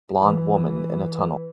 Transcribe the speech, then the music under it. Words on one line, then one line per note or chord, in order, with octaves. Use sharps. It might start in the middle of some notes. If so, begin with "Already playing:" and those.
Blond woman in a tunnel.
E3